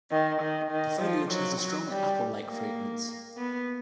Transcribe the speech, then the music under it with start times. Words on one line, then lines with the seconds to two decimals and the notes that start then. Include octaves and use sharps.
The foliage has a strong apple-like fragrance.
0.11 D#3
0.41 D#3
0.71 D#3
1.01 F3
1.31 F#3
1.60 F#3
1.90 G3
2.49 A#3
3.38 B3